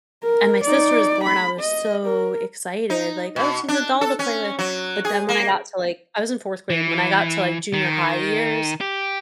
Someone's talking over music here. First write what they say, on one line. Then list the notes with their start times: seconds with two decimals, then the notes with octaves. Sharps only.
And my sister was born, I was so excited. Like, "Oh, she's a doll to play with." But then when I got to like I was in fourth grade. When I got to like junior-high years,
0.24 A#4
0.64 D#4 D5
1.24 B5
1.60 D#5
2.06 A#4
2.90 D#4
3.36 B2
3.68 D4
4.01 A4
4.19 C#4
4.59 F#3
5.05 G#4
5.29 A#3
6.70 E3
7.73 D#3
8.81 G4